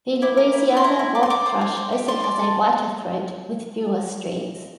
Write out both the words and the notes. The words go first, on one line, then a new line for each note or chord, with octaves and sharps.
The Louisiana waterthrush also has a whiter throat with fewer streaks.
E4 D6
A#4
E4
E4
C6
E4 A#5
E4
D5 D6
C6
D5 D6
C5
C5
C5
G4
D5 C6
D5
A4